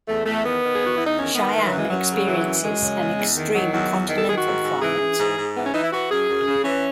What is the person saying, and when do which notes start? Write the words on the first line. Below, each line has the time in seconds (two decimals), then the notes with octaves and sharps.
Sheyenne experiences an extreme Continental climate.
0.08 E2 A3
0.26 E2 A3
0.44 D#3 B3
0.63 D#3
0.76 G#4
0.81 E2 F#4
0.97 E2 E4
1.07 D#4
1.18 D#3 C#4
1.36 D#3 B3
1.54 E3 A3
1.66 F#3
1.72 F#2
1.78 G#3
1.90 F#2 F#3
2.09 C#3
2.27 E3
2.45 F#2
2.63 F#2 G#3
2.82 C#3
3.00 E2
3.18 E2
3.37 D#3
3.55 D#3 F#3
3.73 E2 F#3
3.91 E2
4.09 D#3
4.19 A4
4.28 D#3 G#4
4.37 F#4
4.46 G#2
4.64 G#2
4.82 E3 G#4
5.01 E3
5.19 G#2
5.37 G#2
5.55 E3 B3
5.65 C#4
5.74 E3 D#4
5.83 E4
5.92 E3 F#4
6.10 F#2 G#4
6.29 F#2
6.47 C#3
6.65 E3 C#4